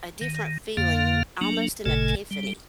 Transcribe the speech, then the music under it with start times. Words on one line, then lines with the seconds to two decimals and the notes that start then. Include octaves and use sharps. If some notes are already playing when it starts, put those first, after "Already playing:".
a different feeling, almost an epiphany,
0.21 D#3
0.77 F2 D3 A#3 F5
1.41 F#3 A#3 D4
1.86 G#1 A#2 C#3 A3 A4 G#5
2.31 G3